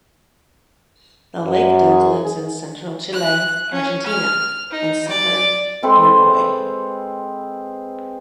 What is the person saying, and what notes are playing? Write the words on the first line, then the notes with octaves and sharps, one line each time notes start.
The lake duck lives in central Chile, Argentina and southern Uruguay.
F#2
G#4
F#6
C#4
F6
D#4
D5
G#3 C4 A4 B4